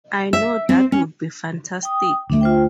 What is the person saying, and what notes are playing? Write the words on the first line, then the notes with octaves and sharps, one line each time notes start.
I know that would be fantastic.
E5
C4
C#4
G5 D#6
D2 G3 A3 D4 E5
F4 C5 G5